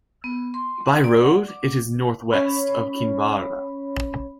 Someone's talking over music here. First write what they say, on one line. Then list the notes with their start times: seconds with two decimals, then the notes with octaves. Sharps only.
By road it is northwest of Kinvarra.
0.24 B3
0.54 C6
0.86 F#5
1.04 D5
1.23 F#5
1.48 D6
2.33 C#4 C#5 B5